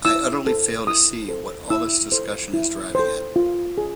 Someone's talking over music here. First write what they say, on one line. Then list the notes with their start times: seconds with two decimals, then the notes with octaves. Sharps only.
I utterly fail to see what all this discussion is driving at.
0.05 E4 E6
0.47 A4 C5
0.87 E4 D#6
1.28 A4 C5
1.70 E4 E6
2.12 A4 C5
2.53 E4
2.95 A4 C5
3.36 F4
3.78 G#4